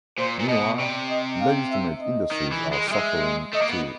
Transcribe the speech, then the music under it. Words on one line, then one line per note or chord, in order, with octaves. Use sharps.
Meanwhile, legitimate industries are suffering, too.
A#2 C5
A#2
B2 D#5
C3 D5
D#5
F5
E5
D#5
D#3
E3
G#3
G3
G#3 E5
A3 D#5
A#3
B3